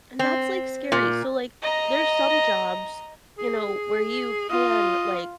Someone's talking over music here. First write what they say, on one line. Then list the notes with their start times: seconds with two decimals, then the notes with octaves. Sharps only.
And that's, like, scary. So, like, there's some jobs, you know, where you can, like,
0.19 C4
0.92 A#2
1.62 D#5 A#5
3.39 G#4
4.49 F4 D#5